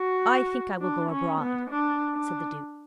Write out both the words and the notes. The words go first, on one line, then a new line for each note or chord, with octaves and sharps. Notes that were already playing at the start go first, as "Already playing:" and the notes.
"I think I will go abroad," said the Duke.
Already playing: F#4
D4
C#4
B3
D4
D4